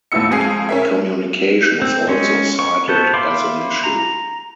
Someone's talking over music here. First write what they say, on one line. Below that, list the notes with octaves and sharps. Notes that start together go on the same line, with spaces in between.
Communication was also cited as an issue.
D#2 A2 B3 E4 E6 C#7
F2 G#3 G#4 F5 C7
C#4 A#4 E5
C4
G#3 C#4
C#6
B3 A4 C5
E5 F5 B5 C6 D6
A#5